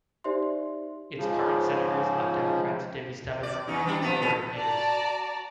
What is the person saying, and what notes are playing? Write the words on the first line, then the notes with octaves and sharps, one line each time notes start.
Its current Senators are Democrats Debbie Stabenow and Gary Peters.
D#4 G4 C5 D5 E5 C6
G#2 C#3 F3
D5
E2 D#4
E3 G3 D4
F3 B3 C4
B3 G#4 A4
F#4 D5 A5 A#5